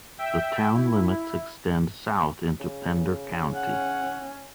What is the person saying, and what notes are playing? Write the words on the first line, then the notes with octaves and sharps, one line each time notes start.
The town limits extend south into Pender County.
E5 G5
E4
C#3
C#4 F#5